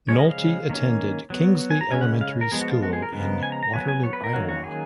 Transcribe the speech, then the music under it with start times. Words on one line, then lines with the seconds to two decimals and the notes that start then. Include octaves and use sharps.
Nolte attended Kingsley Elementary School in Waterloo, Iowa.
0.09 C#3 F3 G#3 C#4 C#5
0.19 D#5
0.29 F5
0.69 D#3 A#3 C#4
1.30 F#3 B3
1.70 G#5
1.81 A#5
1.91 C#3 G#3 C#4 G#5
2.01 F#5
2.21 F5
2.41 A#4
2.52 F3 G#3 B3 G#4
2.61 F#4
2.71 F4
2.82 F#4
2.93 G#4
3.02 A#4
3.12 C#3 F3 G#3 B3
3.43 G#5
3.52 A#5
3.63 A#5
3.73 F#3 B3 G#5
3.88 G#5
4.03 C#5
4.13 B4
4.24 A#4
4.33 D#3 F#3 A#3 C#4 F#4
4.49 F#4
4.64 G#4